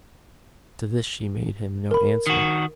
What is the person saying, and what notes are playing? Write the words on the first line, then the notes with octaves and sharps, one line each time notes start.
To this she made him no answer.
A#4 B5
D#3 F#4